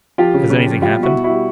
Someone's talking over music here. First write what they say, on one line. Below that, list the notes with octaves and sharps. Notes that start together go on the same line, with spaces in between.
"Has any thing happened?"
F3 F4 G4
C#3
C#3
F3
G3 F4 G4
B2
E4 F#4
B2
E4 F#4
G3